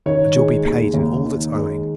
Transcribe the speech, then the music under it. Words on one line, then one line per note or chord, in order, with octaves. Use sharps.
And you'll be paid all that's owing.
D#3 C#5
G#3
D#2
D#2
D#3
G#3